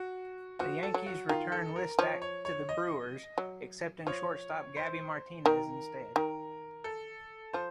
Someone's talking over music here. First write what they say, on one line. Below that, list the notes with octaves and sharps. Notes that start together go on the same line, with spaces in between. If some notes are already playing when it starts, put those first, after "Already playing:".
The Yankees returned Listach to the Brewers, accepting shortstop Gabby Martinez instead.
Already playing: F#4
F3 F#4
A4
F#3
F#4
D#3 F4
A4
A#4
F3 C#5
C#5
C#5
D#5
F#3
F3 C#5
C5
D#3 A#4
D#3 A#4
A4
F3 C5